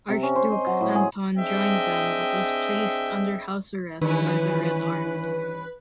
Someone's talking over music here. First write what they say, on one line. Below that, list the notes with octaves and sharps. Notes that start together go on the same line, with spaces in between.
Archduke Anton joined them but was placed under house arrest by the Red Army.
C3
C#4
C5
D#5
F#3
A2
G#4
C4 D4 G#4 D#5 E5 G5
G2 D#3 E3 C#4 B4